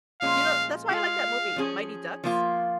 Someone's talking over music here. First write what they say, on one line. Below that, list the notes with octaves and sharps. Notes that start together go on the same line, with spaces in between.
You know, that's why I like that movie, Mighty Ducks.
A#2 F3 G#3 C#4 F4 F5
G#3 F4 G#4 F5
F3 C#4 G#4
F3 A#3 F4